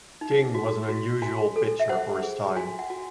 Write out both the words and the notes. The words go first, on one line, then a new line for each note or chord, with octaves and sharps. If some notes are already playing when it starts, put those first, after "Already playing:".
King was an unusual pitcher for his time.
D#4
F#4
F#4
F#4 G#5
A4
E5
C5 F#5
G#4
F#4 G#5
F#5
F#4